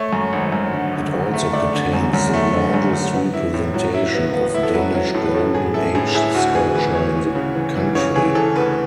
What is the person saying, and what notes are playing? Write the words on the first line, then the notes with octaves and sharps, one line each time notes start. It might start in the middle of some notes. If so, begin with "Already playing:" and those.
It also contains the largest representation of Danish Golden Age Sculpture in the country.
Already playing: A3 C#5
F#2
G#1
F#2
D3
G#1
G#1
A3
A3 D5
D3
F#2
F#2
A3
D3
F#2
F#2
B3
E4
A2
F#3
E4
B3
B3
E4
A4
F#3 B4
F#3
A2 A4
B4
A2 A4
A2 G#4
E4 A4
A2 G#4
E4 G#4
D2 F#4
B3 G#4
E3 B4
E3 C#5
B3
C#3
E3
E3
C#3 C#5
E3 G#4
E3 A4
D2 B4